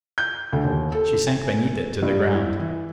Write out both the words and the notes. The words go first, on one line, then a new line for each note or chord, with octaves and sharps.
She sank beneath it, to the ground.
G6
D2
D#2
A4
G#5
G2
E4
E3